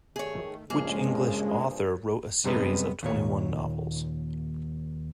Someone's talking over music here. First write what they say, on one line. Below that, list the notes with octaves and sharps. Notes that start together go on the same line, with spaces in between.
Which English author wrote a series of twenty-one novels?
D#3 A3 G#4 C#5
G2 A#2 C#3 F3 G#3 A#3 G#4
F#2 C3 G3 G#3 B3 B4
D#2 A#2 C#5